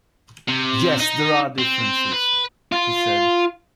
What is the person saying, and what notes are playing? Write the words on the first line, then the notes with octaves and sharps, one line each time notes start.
"Yes, there are differences," he said.
C3
D#4
C4
B4
F4